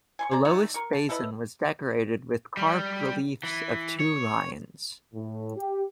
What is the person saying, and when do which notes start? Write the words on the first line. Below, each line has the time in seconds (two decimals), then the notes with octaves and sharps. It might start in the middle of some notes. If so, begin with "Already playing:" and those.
The lowest basin was decorated with carved reliefs of two lions.
0.19 G#5 C6 C#6
0.31 G#4 C5 D5 A#5
0.45 A3 D#4 C#5
0.74 A#4 C#6
0.93 A5
1.09 E4 A4 B4 D#5
2.57 G3
3.43 E3
4.00 C#5
5.14 A2
5.57 G4